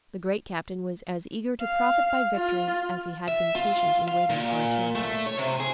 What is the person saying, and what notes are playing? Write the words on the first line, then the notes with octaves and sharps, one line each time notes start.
The great captain was as eager to profit by victory as he had been patient in waiting for a chance of it.
F5
F4
E5
F4
F5
A#2
A3
C#5
C3
G#4